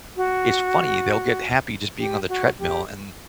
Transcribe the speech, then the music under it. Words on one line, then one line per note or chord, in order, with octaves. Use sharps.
it's funny, they'll get happy just being on the treadmill, and
F#4
G4
F#4
G4